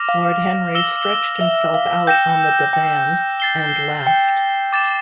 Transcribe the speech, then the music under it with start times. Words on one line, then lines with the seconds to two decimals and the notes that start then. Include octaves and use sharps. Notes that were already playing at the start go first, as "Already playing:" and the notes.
Lord Henry stretched himself out on the divan and laughed.
Already playing: D6 F6 A#6 F7
0.09 F5
0.75 E6 A#6 E7 G7
1.41 E5
1.74 F5
2.07 G5 G6 A#6 E7
2.30 G5
2.73 G5
3.40 A6 C7 G7
4.07 G5
4.73 D6 A6 E7